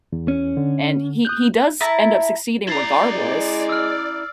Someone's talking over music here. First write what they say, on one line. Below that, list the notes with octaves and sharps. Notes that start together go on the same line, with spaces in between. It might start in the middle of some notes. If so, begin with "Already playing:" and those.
and he he does end up succeeding regardless,
E2
C#4
D3
D#6 F#6 G6
E4 E5 A5 A#5
E4 D5 A#5 A6 C7
G#3
E6 F6